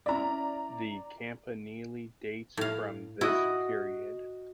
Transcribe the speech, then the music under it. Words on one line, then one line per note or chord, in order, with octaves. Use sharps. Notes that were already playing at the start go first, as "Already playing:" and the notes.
The campanile dates from this period.
C#4 E4 D5 E5 A#5
A2 F5
E4 F#4 D#5 F#6